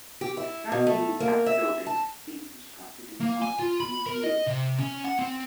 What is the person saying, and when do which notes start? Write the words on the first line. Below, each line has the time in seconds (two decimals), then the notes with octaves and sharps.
Some new outbuildings have been constructed in the last few years.
0.21 G4
0.37 E4
0.72 B2
0.87 A3
1.20 A#3
1.46 E5
1.87 A5
3.21 A#3
3.42 G#5
3.59 F4
3.80 B5
4.06 A#4
4.24 D#5
4.48 C3
4.79 C#4
5.04 F#5
5.19 C4